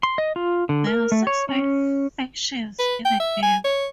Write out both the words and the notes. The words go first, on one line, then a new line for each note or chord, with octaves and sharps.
There are six main factions in the game.
C6
D#5
F4
D3
A#4
A3
C#5
C#4
B4
G5
E5
G#5
C#5